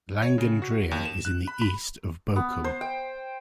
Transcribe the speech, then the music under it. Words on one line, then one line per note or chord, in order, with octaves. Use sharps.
Langendreer is in the East of Bochum.
C#5
C#3
F#4
D#2
E7
F#6
B5
B5
B3
C5
G5